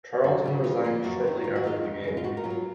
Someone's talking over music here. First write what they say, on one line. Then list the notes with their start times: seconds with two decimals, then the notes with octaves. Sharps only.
Charlton resigned shortly after the game.
0.24 F#2 F#4
0.44 C#3 F#3 C#4
0.64 C#3 F4
0.84 F3 A#3 F4
1.04 F#2 F#4
1.24 D#3 F#3
1.44 G#2 F4
1.56 F#4
1.64 D#3 G#3 D#4 F4
1.84 F2
2.04 C#3 G#3
2.17 F4
2.24 G#2 F#4
2.37 A#4
2.44 F#3 B3 F4
2.50 A#4